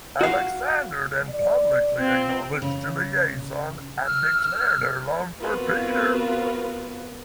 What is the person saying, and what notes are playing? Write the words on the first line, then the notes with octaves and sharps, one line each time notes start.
Alexander then publicly acknowledged the liaison and declared her love for Peter.
F#4 F5
D5
C4 F4
C#3
E6 F6
B3 C4 F4 F#4 A#4 B4